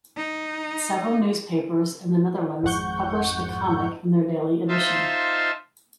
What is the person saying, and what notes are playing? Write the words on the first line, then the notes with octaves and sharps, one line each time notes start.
Several newspapers in the Netherlands publish the comic in their daily edition.
D#4
G#1 F2 G#2 F#5 C#6 G6
D#4 F4 C5 E5 F5 A5